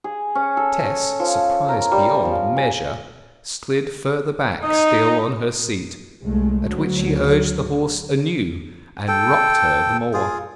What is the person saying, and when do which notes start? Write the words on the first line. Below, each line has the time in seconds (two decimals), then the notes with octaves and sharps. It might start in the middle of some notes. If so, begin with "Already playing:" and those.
Tess, surprised beyond measure, slid farther back still on her seat, at which he urged the horse anew, and rocked her the more.
0.04 G#4
0.35 C#4
0.57 A4
0.85 C#5
1.20 F3
1.69 A#4
1.92 G3
2.24 F3
2.57 G#5
4.63 D#4 D#5
6.22 C2 G#3 A3
6.64 D2 F#3
9.08 A4 G5
10.13 F4 G#4